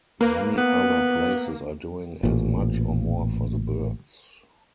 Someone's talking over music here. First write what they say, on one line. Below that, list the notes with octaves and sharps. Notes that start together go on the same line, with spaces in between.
Many other places are doing as much or more for the birds.
A#3 B4
B3
A1 A#2